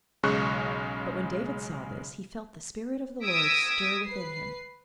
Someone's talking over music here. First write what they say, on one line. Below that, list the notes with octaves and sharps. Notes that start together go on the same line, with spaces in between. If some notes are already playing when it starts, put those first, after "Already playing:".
But when David saw this, he felt the spirit of the Lord stir within him.
B1 C#3 G#3 C#6 F#6
D#6 E6 G#6 A#6 B6 D7
B4 C7